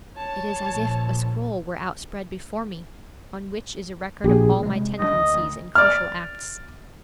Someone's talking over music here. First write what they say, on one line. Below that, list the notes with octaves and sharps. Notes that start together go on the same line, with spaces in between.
It is as if a scroll were outspread before me, on which is a record of all my tendencies and crucial acts.
C#5 A5
A#1
A#1 G4 G#4
C3 G#3
G2 F#3 D4 D#5
D2 D3
D2
D5 F6